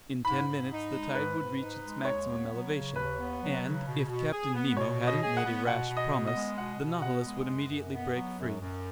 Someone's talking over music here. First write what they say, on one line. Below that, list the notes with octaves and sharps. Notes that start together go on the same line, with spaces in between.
In ten minutes the tide would reach its maximum elevation, and if Captain Nemo hadn't made a rash promise, the Nautilus would immediately break free.
G#2 B5
G#2
D#4
G#3
G#2 B4
G#2
D#4
G#3
D#2 C#5
B3
F#3
C#3
D#2 B4
B3
F#3
C#3
B2
B2
G#4
B3
B2 C#5
B2
D#5
G#4
F#5
B3
B2 F#5
B2
D#5
B3
D#5
G#3
B2 F#5
B2
B3 F#5
G#3
F#2
F#2
B3
F#3
F#2
F#2